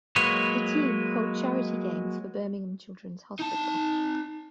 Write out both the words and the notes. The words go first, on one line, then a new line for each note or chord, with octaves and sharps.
The team hold charity games for Birmingham Children's Hospital.
F#3 G#3 A#3 B4 C#5
D#4 A5